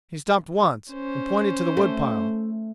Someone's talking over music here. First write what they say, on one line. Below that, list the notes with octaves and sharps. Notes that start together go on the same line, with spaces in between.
He stopped once, and pointed to the wood pile.
C#4 C5
A3